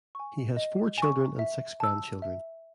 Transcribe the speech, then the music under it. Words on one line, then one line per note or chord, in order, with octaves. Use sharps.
He has four children and six grandchildren.
G#5 C#6
D#5
G#5 C#6
E5
A5 E6
E5